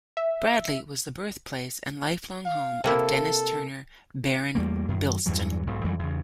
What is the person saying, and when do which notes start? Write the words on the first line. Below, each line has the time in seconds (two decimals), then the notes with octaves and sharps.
Bradley was the birthplace and lifelong home of Dennis Turner, Baron Bilston.
0.17 E5
2.46 F5
2.84 C3 A#3 E4 A4
4.55 E2 G3 A3 A#3
4.88 F#2 D#3
5.26 E2 G2 E3 F#3
5.67 B1 G#2 B2
5.84 F2 E3 F#3 G3
5.99 E2 C#3